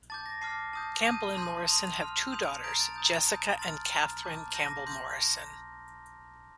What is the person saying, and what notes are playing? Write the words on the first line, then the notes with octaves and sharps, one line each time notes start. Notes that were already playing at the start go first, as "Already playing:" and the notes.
Campbell and Morrison have two daughters, Jessica and Catherine Campbell-Morrison.
A5 D6 G6 A6
A#6
A5 D6 F6 C7
A5 D#6 G6
A5 D#6 G6 D#7
A5 C6 G6
A5 C6 D#6 F7
C6 F6
C6 D#6 G6 F7
A#5 D#6 G6 D7
A6
A#5 D#6 G6
A5 D#6 G6
C6 F6 A6
A#5 F6
A5 D6 G6
A5 D6 G6 A#6
C6 G6